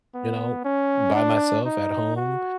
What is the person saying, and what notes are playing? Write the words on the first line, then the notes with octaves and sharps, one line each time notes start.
you know, by myself at home,
B3
C#4
D4
D#4
F#4